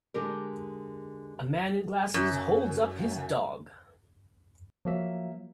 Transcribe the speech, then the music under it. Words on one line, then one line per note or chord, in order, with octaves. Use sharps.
A man in glasses holds up his dog.
D3 G#3 G4 A#4
F#2
F3 F#3 A#3 E5